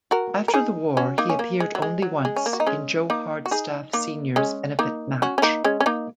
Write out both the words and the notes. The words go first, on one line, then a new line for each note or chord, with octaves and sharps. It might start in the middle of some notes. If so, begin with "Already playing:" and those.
After the war he appeared only once, in Joe Hardstaff senior's benefit match.
F#4 A#4
A#4
D#4 G#4
C#4 F#4
A#3 D#4
C#4
A#3
G#3
F#3
G#3
F#3
G#3
C#4
A#3
F#4
D#4
G#3 C#4
A#3 D#4
F#4
D#4 G#4
A#3 D#4
G#3 C#4
A#3 D#4
C#4 F#4
C#4
A#3 D#4
G#3 C#4
C#4
A#3 D#4